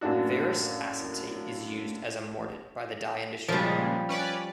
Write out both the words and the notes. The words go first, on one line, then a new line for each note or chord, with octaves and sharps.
Ferrous acetate is used as a mordant by the dye industry.
F#2 A2 A#3 D4 F#4
A#2 C#3 F3 G3 G#3
C#4 B4 D5